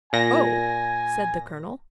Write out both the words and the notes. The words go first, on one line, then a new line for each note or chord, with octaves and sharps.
"Oh!" said the colonel.
A#2 G#5 A#6